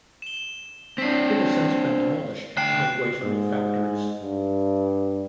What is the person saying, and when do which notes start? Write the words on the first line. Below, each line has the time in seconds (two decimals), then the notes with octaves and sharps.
It has since been demolished to make way for new factories.
0.22 E7 G7
0.98 C4 D4 B6 C7
2.57 D2 G5 F#6 C7 E7
3.23 G#2
4.22 G2